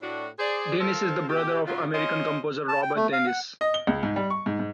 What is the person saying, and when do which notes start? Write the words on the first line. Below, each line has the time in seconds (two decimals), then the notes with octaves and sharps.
Dennis is the brother of American composer Robert Dennis.
0.02 A2 D4 F#4
0.39 G#4 C5 D5
0.80 F4 A4 A#4 C5
1.29 B2 G4
1.67 G#2 C#3 F#3 F4
1.94 C#4 F4 A#4 C5 C#5 D#5
2.68 A5
2.83 G5
2.96 A3
3.13 F5
3.27 F#5
3.61 D#5
3.74 G7
3.87 C#2
4.03 G#2
4.16 G3
4.30 C#6
4.46 G#2
4.59 G#2